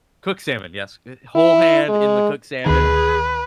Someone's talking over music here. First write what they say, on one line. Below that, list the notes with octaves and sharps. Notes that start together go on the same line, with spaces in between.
Cooked salmon, yes, eh, whole hand in the cooked salmon,
E4
G#3
D2 D#3 G#4 B4